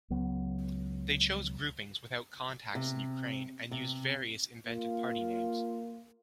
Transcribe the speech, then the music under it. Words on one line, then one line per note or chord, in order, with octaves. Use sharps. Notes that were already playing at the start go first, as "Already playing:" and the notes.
They chose groupings without contacts in Ukraine, and used various invented party names.
C#2 F#3 B3
C3
C3
A#3 F4